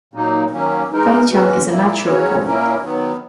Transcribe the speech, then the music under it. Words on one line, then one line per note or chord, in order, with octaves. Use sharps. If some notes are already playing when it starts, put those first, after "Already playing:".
Taicang is a natural port.
A#2 F#3 A#3 D#4
D#3 F#3 A#3 C#4
E3 G#3 D#4 A#4
E3 G#3 C#4 F#4
A#2 A#3 E4
C#3 F#3 C#4 F#4 C#5
A#2 A#3 C#4 E4 A#4
D#3 F#3 B3